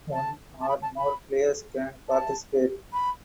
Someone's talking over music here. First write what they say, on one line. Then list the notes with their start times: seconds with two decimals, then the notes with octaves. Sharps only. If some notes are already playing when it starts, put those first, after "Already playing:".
One or more players can participate.
0.13 A5
0.61 A5
0.69 B5
0.82 A5
0.98 B5
2.09 A5
2.93 B5